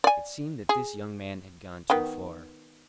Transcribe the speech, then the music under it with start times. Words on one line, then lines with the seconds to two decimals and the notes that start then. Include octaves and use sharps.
It seemed that this young man had gone too far.
0.04 D5 G#5
0.69 G#4
1.90 D#3 B3 G5